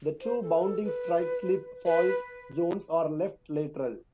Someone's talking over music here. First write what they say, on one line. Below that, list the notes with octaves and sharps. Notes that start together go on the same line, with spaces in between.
The two bounding strike slip fault zones are left lateral.
C5
A4
B4
A4
B4
B4